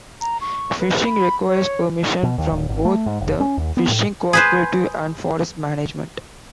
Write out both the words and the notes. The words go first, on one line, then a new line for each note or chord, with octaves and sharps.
Fishing requires permission from both the Fishing Cooperative and Forest Management.
A#5
C#6
B4
B5
C#5
B2
D#2
D1
G#1
A3
G#2
F1
C#4
D#2
B3
A2
G#4 B4 C5